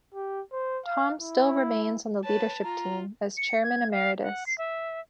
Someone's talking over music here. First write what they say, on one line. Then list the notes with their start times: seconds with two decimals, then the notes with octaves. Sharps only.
Tom still remains on the leadership team as Chairman Emeritus.
0.14 G4
0.52 C5
0.86 F5
1.21 E4
2.24 B4 C#5 A5
2.63 F4 A#5
3.37 C#7
3.64 G#6
3.91 F5
4.22 F#5
4.47 C7
4.58 E5